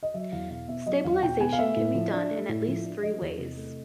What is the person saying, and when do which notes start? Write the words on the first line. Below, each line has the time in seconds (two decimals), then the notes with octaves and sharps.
Stabilization can be done in at least three ways.
0.03 D#5
0.14 F#3 E5
0.32 E2 F5
0.50 B2 F5
0.68 B3 E5
0.86 F#3 D#5
1.04 E2 F5
1.22 B2 G5
1.41 B3 G#5
1.52 F5
1.58 A3 E5
1.76 A2
1.95 F3
2.13 D4
2.31 A3
2.49 A2
2.67 F3
2.85 D4
3.02 F3 D#5
3.21 E2
3.39 C3
3.57 A3